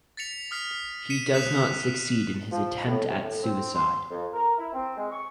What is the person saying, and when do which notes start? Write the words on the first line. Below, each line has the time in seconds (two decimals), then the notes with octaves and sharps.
He does not succeed in his attempt at suicide.
0.17 A6 B6 C#7 F7
0.51 D#6 F6 B6 C7 F7
1.10 B6 C#7 D#7 E7
1.33 D#6 F#6 B6 C#7 E7 F7
2.50 F3
2.86 A2
3.08 C3
3.23 A2
3.43 C4
3.75 C6
4.11 F2
4.33 A#4
4.58 E4
4.73 C4
4.97 G#3
5.11 C#6